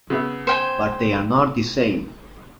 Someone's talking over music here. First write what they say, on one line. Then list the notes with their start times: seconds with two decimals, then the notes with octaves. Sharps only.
But they are not the same.
0.10 C#3 B3 E5
0.47 C5 G5 G#5